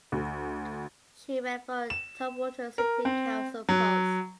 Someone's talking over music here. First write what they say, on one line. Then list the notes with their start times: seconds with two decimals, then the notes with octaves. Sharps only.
She ran for Tumwater City Council Pos.
0.12 D2
1.90 E7
2.78 A#4
3.05 C4
3.69 F#3